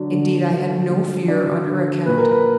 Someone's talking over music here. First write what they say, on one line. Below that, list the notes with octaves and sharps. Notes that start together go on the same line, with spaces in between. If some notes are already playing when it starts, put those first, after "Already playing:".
Indeed I had no fear on her account.
Already playing: D3 F#3 D4
D3
D3
F#3
D4 D5
D3
A#2 B4
A#4
B4